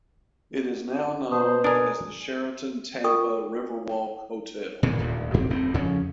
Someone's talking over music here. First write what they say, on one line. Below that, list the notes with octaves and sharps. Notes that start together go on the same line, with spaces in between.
It is now known as the Sheraton Tampa Riverwalk Hotel.
B2 C5 A5 D#6
D4 A#4 G#5 D#6 D7
F4 A#4 G5 C#6 D#6
A#2 D3 E3
D#1 D2 A#2
F#2 C4
F1 A2 C4
F2 C#3 F3 C#4